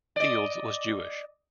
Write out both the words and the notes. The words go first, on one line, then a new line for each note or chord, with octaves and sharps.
Fields was Jewish.
D5 D#5